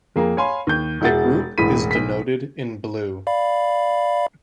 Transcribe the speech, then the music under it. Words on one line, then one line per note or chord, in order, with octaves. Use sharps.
The group is denoted in blue.
F2 A#3 G#4 A#5
C#5 F5 G#5 B5 C6
D#2 G6
E1 E4 F#4 G#4 F#5 A6
E1 A1 A2 B5 B6 D#7
B1 B6
D5 F5 B5